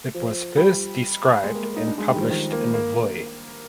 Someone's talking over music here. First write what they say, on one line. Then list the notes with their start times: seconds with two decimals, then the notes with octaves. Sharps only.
It was first described and published in Voy.
0.15 F3
0.57 G3
1.44 G#3
1.55 A#3
1.76 D#4
1.87 D4
1.98 G#3
2.09 G3
2.15 D#3
2.20 F3
2.30 D#3
2.52 A#3
2.74 A#3